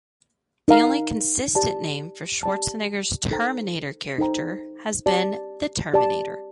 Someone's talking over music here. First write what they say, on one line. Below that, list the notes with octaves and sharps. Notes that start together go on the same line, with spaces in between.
The only consistent name for Schwarzenegger's Terminator character has been "The Terminator".
D#4 A#4 F5 A#5
G4 D5 A5
G4 D5 A5
D#4 A4 C5 G5 A#5
D#4 A4 C5 G5 A#5
G4 D5 A5
G4 D5 A5